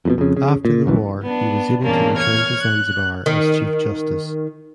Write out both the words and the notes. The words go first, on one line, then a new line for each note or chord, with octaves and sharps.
After the war he was able to return to Zanzibar as Chief Justice.
F2 G#2 B2
F2 C#3
C#3
A#2
G1 C2 F#2 E3
B3 D4
E2 G2 A#2 A#3 C#4 D4
C#5 F6 G#6
F#6
D#3